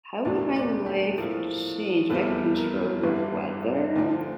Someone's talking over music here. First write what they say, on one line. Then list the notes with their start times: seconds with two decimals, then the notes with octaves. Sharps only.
How would my life change if I could control the weather
0.25 E1 D2 D3 A3 D4 D5
0.56 D5
0.86 G4
1.18 A2 F3 A#3 A4
2.10 F1 E2 C3 G3 A4
2.57 A#4
3.03 G1 G2 D3 G3
3.96 D2 D3 F3 D5